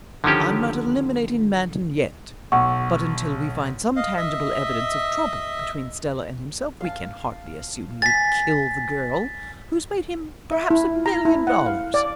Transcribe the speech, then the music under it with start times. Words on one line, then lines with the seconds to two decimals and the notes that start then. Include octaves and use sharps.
I'm not eliminating Manton yet, but until we find some tangible evidence of trouble between Stella and himself we can hardly assume he would kill the girl who's made him perhaps a million dollars.
0.24 D3 D#3 F3 C#4 G4
2.52 B1 F#5 C#6 E6
3.96 D#5 F5
4.17 D#5 E5
6.81 F5 A5
8.02 G#5 A6 B6
10.52 E5
10.70 E4
11.06 A#5
11.25 E4
11.47 F#5
11.66 F5
11.94 D5